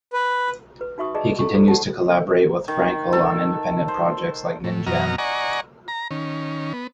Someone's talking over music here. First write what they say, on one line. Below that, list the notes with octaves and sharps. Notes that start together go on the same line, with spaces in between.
He continues to collaborate with Frankel on independent projects like Ninjam.
B4
B4
D#4 F#4 E5 C#6 D#6
G#4 D5 D#5 A5 A#5
E4 A4 G#5 C#6
E4 F4 G#4 A4 C5 D5
G4 F#5 A5
D#3
A4
C5
A2
F#2 B2 F#3 D#5 A#5 F6
D5 D#5 F#5 G#5 A#5 C#6
A#5
D#3 C#4
B3